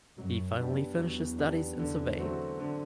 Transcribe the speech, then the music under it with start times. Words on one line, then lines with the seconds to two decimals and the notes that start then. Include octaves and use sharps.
He finally finished his studies in Surveying.
0.17 F#2 F#3
0.58 F#2 B3 D4 G4
0.98 E2 F#3
1.39 B3 D4 G4
1.79 E2 D3
2.19 F#3 A3 C4 F#4
2.60 D3